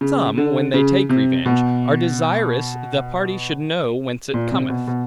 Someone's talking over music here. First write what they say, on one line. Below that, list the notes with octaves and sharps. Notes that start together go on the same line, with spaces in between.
Some, when they take revenge, are desirous, the party should know, whence it cometh.
C#3
D3
C#3
C3
B2
A#2
C3
B2
B2